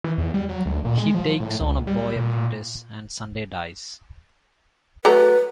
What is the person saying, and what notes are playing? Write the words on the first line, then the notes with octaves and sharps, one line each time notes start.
He takes on a boy apprentice and Sunday dies.
E3
E2
G3
F#3
D2
A#2
G#3
F3
A2
C#2
G3
A#2
F#3 A3 B4 A#5